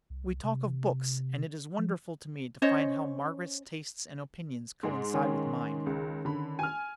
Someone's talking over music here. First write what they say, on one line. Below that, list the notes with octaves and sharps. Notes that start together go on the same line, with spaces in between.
We talk of books; and it is wonderful to me to find how Margaret's tastes and opinions coincide with mine.
C2
C3
F3
C#4 C5 C#5 D#5
G#2 G#3
D#3 C#4
C#2
D3 B5
G#5 F6